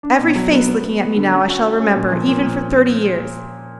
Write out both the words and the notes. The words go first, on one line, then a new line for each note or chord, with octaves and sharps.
Every face looking at me now I shall remember even for thirty years.
D4
B2
F#3
B3
B3
B3
B3
D3
C#4
F#4
F#4
C#4
A#2
F3
A#2
A#2